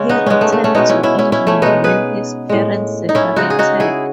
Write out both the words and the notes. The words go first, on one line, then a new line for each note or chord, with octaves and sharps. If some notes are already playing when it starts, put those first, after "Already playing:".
He returned to England when his parents separated.
Already playing: C#3 G#3 C#4
B3 D#4
G#3 B3 C#4
A3
A3
A3 C#4
B2 G#3 B3 D#4
C#4 E4
C#4 E4
C#4 E4
C#4 E4
A3 C#4
B2 G#3 B3 D#4
G#4 B4
A2 G#3
D#4
C#4 E4
C#3 G#3 D#4 F#4
G#4
D#4 F#4
E4 G#4